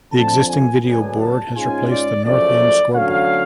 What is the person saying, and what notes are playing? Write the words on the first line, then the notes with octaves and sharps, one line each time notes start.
The existing video board has replaced the north end scoreboard.
F2 D3 F3 A5
G#5
D2 C#3 F#3 B3 D4 G#5
A5
G#2 G#3 C#4 F4 G#5
D5
F#2 C#3 F3 A3 D5
D2 D3 F#3 C#4 F5